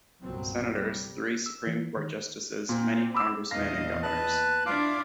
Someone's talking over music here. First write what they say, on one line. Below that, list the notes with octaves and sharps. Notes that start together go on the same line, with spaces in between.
Senators, three Supreme Court Justices, many congressmen, and governors.
G1 C2 A#2 F#3 C4
C3 G3
E6
E3
D#3
A#2 C4
B5 D6 E6
E2 A#2 D#5 F5 A#6
B4 A5 F#6
D4 E4 F4 F5 D6